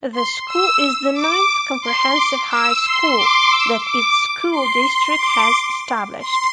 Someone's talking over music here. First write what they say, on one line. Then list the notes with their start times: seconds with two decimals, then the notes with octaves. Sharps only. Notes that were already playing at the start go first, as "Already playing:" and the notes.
The school is the ninth comprehensive high school that its school district has established.
0.12 C6
0.46 E6
1.13 D6
1.81 C6
2.14 D6
2.48 E6
2.82 C6
3.15 D6
3.49 E6
3.83 D6
4.51 C6
4.84 C6
5.18 D6
6.19 C6